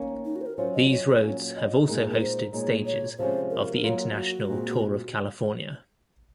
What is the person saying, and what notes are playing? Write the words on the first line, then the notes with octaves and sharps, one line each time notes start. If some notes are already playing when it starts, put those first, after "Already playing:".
These roads have also hosted stages of the international Tour of California.
Already playing: D#3 A#3 C#4
D#4
F#4
C5
A#4
F#3 C#4 F4 C5
D#5
C#5
A#2 F#3 C#4
D#5
A#2 G#3 D#4 A#4
A#4
C5
A#2 G#3 D#4 C#5
C#5
C3 F3 G#3 C#4 C5
A#4
F#3 A#3 F4
F#4
A#2 G#3 C4